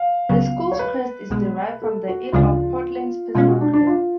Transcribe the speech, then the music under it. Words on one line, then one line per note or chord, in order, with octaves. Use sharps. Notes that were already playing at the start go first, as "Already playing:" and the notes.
The school's crest is derived from the Earl of Portland's personal crest.
Already playing: F5
C#2 C#3 F#3 B3
C#5
B4
B1 B2 G#3
A4
F#4
D2 C#3 F3 G#3 D4 F4
B2 G#3 C#4 F4
F#4
D4
D4
F4